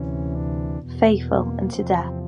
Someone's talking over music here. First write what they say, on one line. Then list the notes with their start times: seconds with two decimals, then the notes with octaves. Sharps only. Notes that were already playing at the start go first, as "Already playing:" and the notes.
Faithful unto death.
Already playing: D2 C3 E3 C#4
0.31 D4
0.77 E2 B2
1.24 A#3
1.70 E2 C3 F3 C4